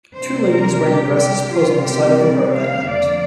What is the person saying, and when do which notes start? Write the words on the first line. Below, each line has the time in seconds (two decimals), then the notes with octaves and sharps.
Two ladies wearing dresses pose on the side of the road at night.
0.15 C3 G3 D4 C5
0.50 A#4
0.83 G4
1.17 G4
1.51 C3 G3 C4 F4
1.86 G4
2.21 D5
2.54 F5
2.88 F2 D3 A#3 D5